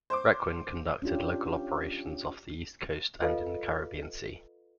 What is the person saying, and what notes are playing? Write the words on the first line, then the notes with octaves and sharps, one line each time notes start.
"Requin" conducted local operations off the East Coast and in the Caribbean Sea.
C5 C6 D6
C#4 D4 F4 G4
F4 A4 B4 D#5 F5